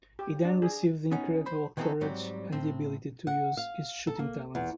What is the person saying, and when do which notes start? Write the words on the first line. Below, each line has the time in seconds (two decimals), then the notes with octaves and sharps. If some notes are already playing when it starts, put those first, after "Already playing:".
He then received incredible courage and the ability to use his shooting talent.
0.19 G4
0.45 D4
0.62 G#4
1.12 B3 C#4 D#4
1.46 C5 B5
1.77 D#3 E3 B3 C4 D#4 A4
2.01 G#2 F#3 G3 C4
2.52 A2 C4
3.27 F#5
3.57 F5
4.07 A4
4.19 A#3
4.55 E2